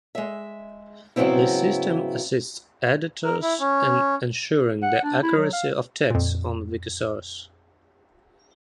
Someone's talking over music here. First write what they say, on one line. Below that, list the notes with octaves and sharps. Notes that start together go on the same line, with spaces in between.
This system assists editors in ensuring the accuracy of texts on Wikisource.
G#3 E5
G#2 C#3 F#3 B3 C4 E4
A#4
E4
C#4
F#5
D4
E4
F#3
F5
F2 A#2